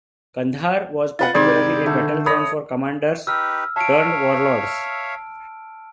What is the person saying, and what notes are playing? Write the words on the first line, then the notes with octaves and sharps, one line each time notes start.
Kandahar was particularly a battleground for commanders turned warlords.
F4 B4 F#5 A6
G#2 C3 D#3 G#4 C5 D5 B5 G#6
D3 A3
C#5 B5 D#6 A#6
D#4 G4 B4 E6 F6
C#5 E5 F5 A5 D7